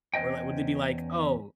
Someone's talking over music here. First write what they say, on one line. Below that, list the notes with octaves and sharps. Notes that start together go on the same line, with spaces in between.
Or, li would they be like, "Oh,
E2 C#4 C5 D#5 G5